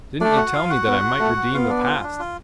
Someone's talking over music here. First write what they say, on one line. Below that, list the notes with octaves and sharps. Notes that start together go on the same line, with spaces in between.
Didn't ye tell me that I might redeem the past?
A3 D4 D5
F#4 F#5
F4 F5
F#4 F#5
B3
A3
B3 F4 F5
D4 D5
F4
D4
F4